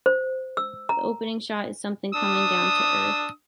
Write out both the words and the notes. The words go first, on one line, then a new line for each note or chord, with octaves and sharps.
The opening shot is something coming down to earth.
C5
E6
A#5
D4 D#6 E6